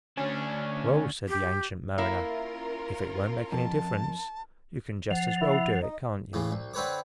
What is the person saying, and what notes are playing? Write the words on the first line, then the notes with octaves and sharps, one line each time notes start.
"Well," said the ancient mariner, "if it won't make any difference you can just as well do it, can't you?"
D2 C#4 D4
G4
A#3 C#4 E4 F4 A#4
F2 A5
F3 F#5
E4
D#4 D#5
A2 C#3 E3
C2
D3 C4 B4 C#5 D6